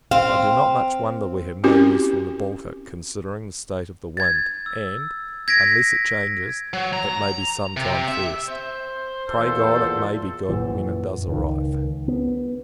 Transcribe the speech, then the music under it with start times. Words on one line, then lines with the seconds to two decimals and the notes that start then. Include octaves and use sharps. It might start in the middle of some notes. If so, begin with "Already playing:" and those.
I do not much wonder we have no news from the Baltic, considering the state of the wind; and, unless it changes, it may be some time first. Pray God it may be good, when it does arrive.
0.11 C4 F5
1.64 C4 C#4 E4 F#4 G4 A#4
4.17 G#6 A6
4.66 E6
5.48 G#6 A#6 B6 D7
6.73 F#3
6.93 A#5
7.77 C3
8.08 E5
8.48 C5
9.29 E2 A#2 A4
10.49 F#2 A#2 E3
11.27 C#2 D#3
12.08 B3